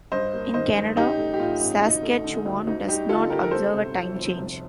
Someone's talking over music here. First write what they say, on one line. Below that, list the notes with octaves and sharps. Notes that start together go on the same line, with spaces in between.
In Canada, Saskatchewan does not observe a time change.
G2 C5 D#5
A#3
D#3 C5 D#5
G2
A1 D#4 G4
A3
G4
A2 F4
A1
D2 D#4
A3
D3
D2
D2 D#4
G3 D#4 G4
D3 F4 A4
D2 G4 A#4
A#4
G1 A4 C5
C3
F2
G1
F1